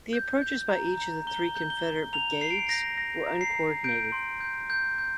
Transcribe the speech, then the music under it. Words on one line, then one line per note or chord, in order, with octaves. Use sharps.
The approaches by each of the three Confederate brigades were uncoordinated.
G6
G6
A#5
A#5
A#5 G7
G6
G7
G6
A#5 F7
G6 C7
D7
C7
G6 A#6
A#5 A#6
A#5
C7
A#5
G6 D7
C6
G6
G6
G6